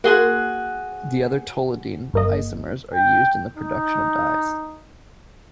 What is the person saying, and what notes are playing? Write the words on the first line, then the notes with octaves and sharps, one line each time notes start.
The other toluidine isomers are used in the production of dyes.
A#3 F#4 G#4 F#5 C6
G1 A#3 D#5
G5
D#4